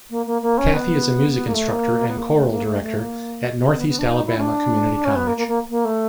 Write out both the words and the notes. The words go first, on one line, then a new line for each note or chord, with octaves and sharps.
Kathy is a Music instructor and Choral Director at Northeast Alabama Community College.
A#3
A#3
A#3
C#4
B3
A#3
A3
A#3
B3
A#3
A3
A#3
A3
A3
A#3
C4
B3
B3
D4
D#4
E4
C#4
D4
C#4
B3
A#3
A#3
A#3
A#3
A3